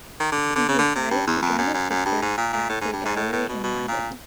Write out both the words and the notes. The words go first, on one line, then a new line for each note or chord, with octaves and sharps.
He decided to join his sister at the gallery in London.
D#3
D3
D3
C#3
D3
C3
G2
E2
F2
F#2
F#2
F#2
G2
G#2
A#2
A#2
A2
G#2
G2
G#2
A2
A2
B2
B2
A#2